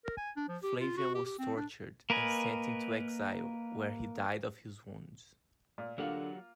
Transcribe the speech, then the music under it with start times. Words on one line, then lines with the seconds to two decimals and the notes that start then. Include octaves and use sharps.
Flavian was tortured and sent into exile, where he died of his wounds.
0.05 A#4
0.17 G#5
0.36 D4
0.48 F3
0.63 G4
0.80 F4
0.97 F#4
1.15 G4
1.26 G4
1.39 C4
1.56 D4
2.10 A#3 A#4 B4 D#5 G#5
5.78 A#2
5.98 D3 F#3 A#3 F4 G4 F#5